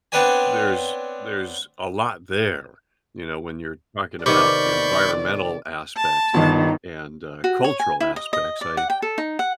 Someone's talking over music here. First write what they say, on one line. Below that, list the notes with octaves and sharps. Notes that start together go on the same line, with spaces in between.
there's there's a lot there, you know, when you're talking about environmental aspects and and, uh, cultural aspects. I
B3 C4 D4 B4 C#5 G#5
C3 D#3 B3 D5 B5 C#6 D6 G6
A5
G1 D#3
F#4
C#5
G#5
E4
D#5
D#5
D5
F#5
G5
A4
D#4
F#5